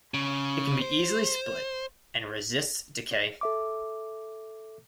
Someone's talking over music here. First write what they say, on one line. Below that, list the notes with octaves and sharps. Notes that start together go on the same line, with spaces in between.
It can be easily split and resists decay.
C#3
C5
A4 E5 D6